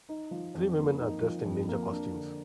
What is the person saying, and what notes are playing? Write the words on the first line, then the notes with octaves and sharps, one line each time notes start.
Three women are dressed in ninja costumes.
D#4
F3
F2
A#3
D#4
F3
F2
A#3
D4
D3